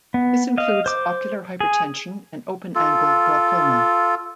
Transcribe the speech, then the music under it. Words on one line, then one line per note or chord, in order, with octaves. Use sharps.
This includes ocular hypertension and open angle glaucoma.
B3
D#5 F5
C5 D6
G#4
F4 A4